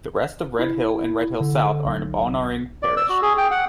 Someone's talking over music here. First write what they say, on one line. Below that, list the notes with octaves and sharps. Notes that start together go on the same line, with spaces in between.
The rest of Red Hill and Red hill South are in Balnarring parish.
E4
D3
B1
D5
E6
F#4
G#4
G5
F#5